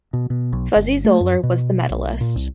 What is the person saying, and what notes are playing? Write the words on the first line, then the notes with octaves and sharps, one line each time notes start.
Fuzzy Zoeller was the medalist.
B2
B2
B1
G1
A3
F#2
B2
B1
A#2
C2